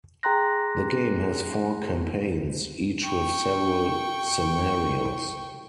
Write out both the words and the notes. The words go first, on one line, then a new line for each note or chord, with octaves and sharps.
The game has four campaigns, each with several scenarios.
G#4 G5 A#5 C6 F#6 A#6
G5 C#6